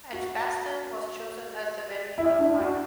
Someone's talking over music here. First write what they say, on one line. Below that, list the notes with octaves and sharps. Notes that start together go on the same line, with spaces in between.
Edgbaston was chosen as the venue for the final.
F#4
E4
D4
F#4